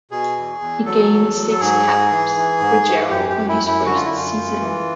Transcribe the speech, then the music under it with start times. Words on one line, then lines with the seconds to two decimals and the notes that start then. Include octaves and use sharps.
He gained six caps for Jaro on his first season.
0.11 B2 G#4
0.36 E2
0.61 E2
0.86 F#3 A4
1.11 E2
1.36 F#3
1.51 A4
1.60 G#2 G#4
1.86 G#2
2.11 E3
2.36 E3
2.61 G#2
2.85 G#2
3.10 F#2 G4
3.29 G4
3.35 F#2
3.49 E4
3.61 F#2
3.67 E4
3.86 D3 F#4
3.95 F4
4.05 F#2 E4
4.16 F4
4.35 F#2
4.60 E3